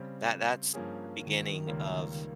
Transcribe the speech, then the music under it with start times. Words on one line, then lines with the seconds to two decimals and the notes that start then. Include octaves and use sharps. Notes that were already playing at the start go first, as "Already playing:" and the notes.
that that's the beginning of
Already playing: C#3 G3 C4
0.74 G2 F3 A#3 C#4 G#4
1.20 D#3
1.67 C#2 C#3 G3 A#3